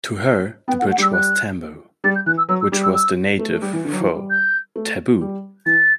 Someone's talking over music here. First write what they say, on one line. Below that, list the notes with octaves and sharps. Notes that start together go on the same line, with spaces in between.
To her the bridge was tambo, which is the native for taboo.
B3 G5
F#5
A3
F#5
G3 E6
F#6
G3 A6
G6
E3 F#6
E6
F#3 E6
E6
G3
E6
E6
A3
A3
G3
E3
D3
F#3
E3
G3
G6
A3
G3
E3 A6